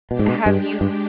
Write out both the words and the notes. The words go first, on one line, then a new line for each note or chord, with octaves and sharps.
have you
B2 G#3 D4 G4
G#2
B2
G2
G2